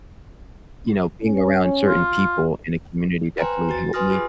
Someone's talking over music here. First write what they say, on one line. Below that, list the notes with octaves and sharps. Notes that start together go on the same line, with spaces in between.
you know, being around certain people in a community definitely helped me
C#4
F4
B4 C5 G5 G#5 A#5 C6
F#4 A6
B4 G#5 C6 D#6 F6 A#6
F4 G4 G#4